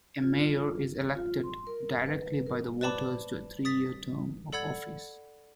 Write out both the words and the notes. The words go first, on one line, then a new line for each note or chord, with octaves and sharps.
A Mayor is elected directly by the voters to a three-year term of office.
F4
F4
C6
A#4
B4
A#4
B4 C5 D5 A5 B5 D6
D#6 A6 B6
A4 D5 F#5 B5 E6 G#6